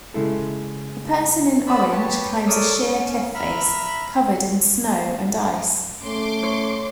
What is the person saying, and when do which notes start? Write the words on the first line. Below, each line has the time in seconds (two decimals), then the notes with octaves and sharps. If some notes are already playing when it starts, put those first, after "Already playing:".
A person in orange climbs a sheer cliff face covered in snow and ice.
0.14 C#3 G#3 E4 A4
1.67 B3 C#4 C5 D5 B5 E6
1.91 G4 B4 C#5 A5
2.47 A3 A#4 C#5 D5 D#6 E6
2.80 C#4
3.34 E5 A#5 B5 F6
6.02 A3 C#4 C6 D6
6.43 C#5